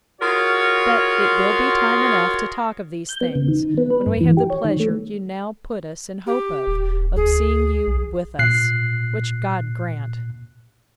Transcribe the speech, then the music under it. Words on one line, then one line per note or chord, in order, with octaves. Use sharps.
But it will be time enough to talk of these things, when we have the pleasure you now put us in hope of, of seeing you with us; which God grant.
F4 F#4 G#4 A#4 C#5
G6
B3
C#3
D#3
B3
B4
G2
E3
G4
C#5
D#3
A3
G4
D#1
D2 G#4
B1
A#2 F#6 C7